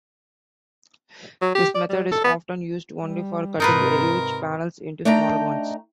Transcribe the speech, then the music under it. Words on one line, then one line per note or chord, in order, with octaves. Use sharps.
This method is often used only for cutting huge panels into smaller ones.
F#3
G4
D5
G3
A4
B3
G3
G#2 C3 D#4 F4 A#4 B4
A3 D4 D#4 G5 A#5